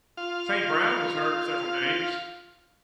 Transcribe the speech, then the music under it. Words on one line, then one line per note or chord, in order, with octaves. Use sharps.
St. Brown was hurt in several games.
F4 F5